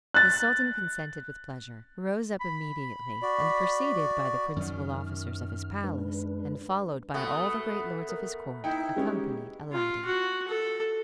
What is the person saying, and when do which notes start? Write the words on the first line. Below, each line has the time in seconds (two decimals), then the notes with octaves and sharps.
The sultan consented with pleasure, rose up immediately, and, preceded by the principal officers of his palace, and followed by all the great lords of his court, accompanied Aladdin.
0.14 F#6 A6
2.41 B5
3.22 F#4 D5
4.56 F#2 D#3 F6
5.84 G#3 D4 B4
7.14 B2 A3 B3
8.09 A#4
8.64 D#4 E4 G5
8.96 G#3 C#4 G4
9.72 F4
10.05 F#4
10.48 A4